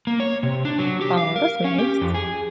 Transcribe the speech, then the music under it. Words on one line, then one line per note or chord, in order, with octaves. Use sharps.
Oh, that's nice.
A#3
C#5
C3
D4
F#3
G4
F5
A#4
C#4
G4
F2
G#4